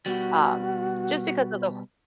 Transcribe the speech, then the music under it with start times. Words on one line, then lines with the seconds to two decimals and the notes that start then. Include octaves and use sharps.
um, just because of the ho
0.06 B2 G3 F#4